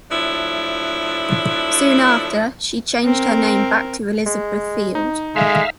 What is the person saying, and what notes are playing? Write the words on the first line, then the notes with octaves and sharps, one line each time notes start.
Soon after she changed her name back to Elizabeth Field.
F3 F#3 A3 D4 E4
C4 A#4
G#3
D#4
G#3 A3 E5 F5